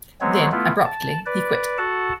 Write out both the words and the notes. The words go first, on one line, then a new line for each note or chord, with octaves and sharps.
Then, abruptly, he quit.
F#3 G#3 B3 C4 C#5
A3 B3 E4 F4
A5
B4 D5
F#4 A4 F#5 A5